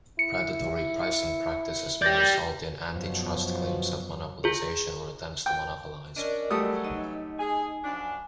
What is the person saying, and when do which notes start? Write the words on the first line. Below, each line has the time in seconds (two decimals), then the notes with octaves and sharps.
Predatory pricing practices may result in antitrust claims of monopolization or attempts to monopolize.
0.19 E4 C#7
2.02 G4 D5 G6 A6 A#6
2.92 F#2 B2 F3
4.44 F4 G#4
5.46 G5
6.16 C#4 D4 A#4 D5 D#5
6.51 E3 F#3 G3 A3 D#6
6.84 D#4 D#5
7.39 G#4 G#5
7.84 F#2 F3 D4